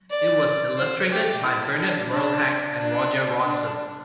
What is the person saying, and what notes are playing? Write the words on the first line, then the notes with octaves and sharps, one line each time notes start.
It was illustrated by Bernard Verlhac and Roger Ronsin.
D5
C5
G4
E4
D4
D4
D4
D4